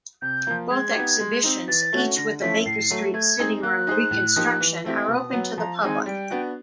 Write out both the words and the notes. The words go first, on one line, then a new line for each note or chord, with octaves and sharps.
Both exhibitions, each with a Baker Street sitting-room reconstruction, are open to the public.
C3 G6
F3 A#3
G#3 G#6
B3 D#4 G4
G#3
C4 D#4
E3 A6
A3 C#4 F#4
D3 A#6
F3 A3 C#4 E4 B6
A2 C7
F#3 A3
A3 G#6
C4 D#4 G#4
A#3 F#6
D#4 G#4 C5
A2
F3 A#3 D#4 G4
E3
A3 C4 E4 G4
B2 D#6
F#3 B3
F3 A#5
G#3 C4 D#4 G#5
G3 G5
B3 D4 F#4